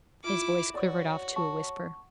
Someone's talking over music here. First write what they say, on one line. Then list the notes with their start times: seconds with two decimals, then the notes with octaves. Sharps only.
His voice quivered off to a whisper.
0.24 E4 F4 D6
0.74 F#4 C#5 D5
1.36 A5 C#6